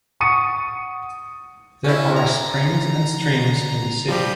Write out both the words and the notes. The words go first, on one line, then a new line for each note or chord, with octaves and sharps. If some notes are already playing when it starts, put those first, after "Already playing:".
There are springs and streams in the city.
F#5 C#6 D#6 A6 C#7 D#7
C#4 E4
A#5
F3 G3 G4